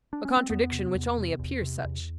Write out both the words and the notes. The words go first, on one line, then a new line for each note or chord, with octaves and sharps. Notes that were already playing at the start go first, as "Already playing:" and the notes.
A contradiction which only appears such.
D4
C#4
C4
E2 B3
C3
E2
C3
E2
C3
E2